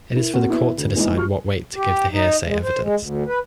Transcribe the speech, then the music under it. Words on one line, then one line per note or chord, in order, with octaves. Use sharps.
It is for the court to decide what weight to give the hearsay evidence.
E4 A#4
A#3 C4 F#4
B3 E4
D2
A#2 E3 G#3 B3 D#4 E4
F3 F#3 G4 C#6 F6
G4
D#4
G#3
C5
G#3
D2
B4